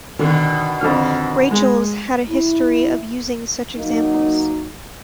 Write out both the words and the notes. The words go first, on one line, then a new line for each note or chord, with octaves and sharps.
Rachels had a history of using such examples.
B2 D3 D#3 D4
F2 D3 F6
G#3
E4
F#3 A#3 D#4